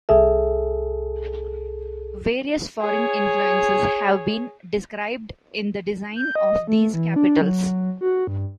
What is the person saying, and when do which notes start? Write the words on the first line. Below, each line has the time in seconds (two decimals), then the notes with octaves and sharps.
Various foreign influences have been described in the design of these capitals.
0.09 C2 G#4 A4 E5
2.81 G#4 C#5
6.16 G6
6.36 D#5
6.67 A3
6.93 E3
7.16 D4
7.41 F#3
8.01 F#4
8.27 G2